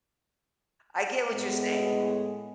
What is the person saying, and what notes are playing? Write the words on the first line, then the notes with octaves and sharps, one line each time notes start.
I get what you're saying.
A2 G#3 B3